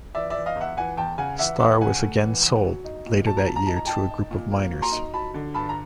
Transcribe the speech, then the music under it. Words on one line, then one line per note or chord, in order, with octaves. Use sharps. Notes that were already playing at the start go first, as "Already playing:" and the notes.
Star was again sold later that year to a group of miners.
E3 D5 E5
D5 E5
E3
D#5 F5
E2
E5 F#5
E3 F#5 G#5
E2 G5 A5
C#3 F#5 G#5
E3 E5 F#5
E3 E5 F#5
C#3 F#5 G#5
A3
E3
E3
F#3
D#4
A#2
F#3 A5
A#5
A#2 A5
A#5
D#4 A5
A#5
D#4 G5 A5
D#4
A#2
A#3
F#3
A#5 C6
D#4
F#3 A5 B5
D3
G2 A5 B5
A#5